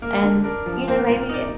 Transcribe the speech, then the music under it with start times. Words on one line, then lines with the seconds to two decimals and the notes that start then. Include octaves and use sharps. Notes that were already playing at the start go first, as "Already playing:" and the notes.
and, you know, maybe
0.02 A#3 A#4
0.22 D3
0.44 D4 A#4
0.66 F3
0.88 A#3 C5
1.09 A#2
1.16 A#4
1.29 D#4 D5